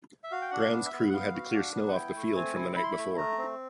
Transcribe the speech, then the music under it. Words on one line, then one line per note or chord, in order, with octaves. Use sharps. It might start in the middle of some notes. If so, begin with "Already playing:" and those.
Grounds crew had to clear snow off the field from the night before.
E5
F#4 F5
G5
D4 F#5
F5
B3
E5
B3
F#5
B3 F5
F#4
D4
B3
F#5
E4 G5
A3
C4 G#5
E4
E4 B5
C6
B5
A3
A3 A#5
C4